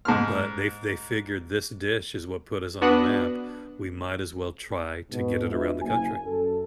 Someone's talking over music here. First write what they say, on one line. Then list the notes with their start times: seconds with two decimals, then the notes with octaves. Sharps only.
but they f they figured, "This dish is what put us on the map, we might as well try to get it around the country."
0.05 G#2 F6
2.82 B3 D4 F#4 D#6 F#6
5.10 G#2 B2
5.51 D4 F4 F#4 B4 D#5 E5
5.81 F#1 G#5
6.25 F#2 A4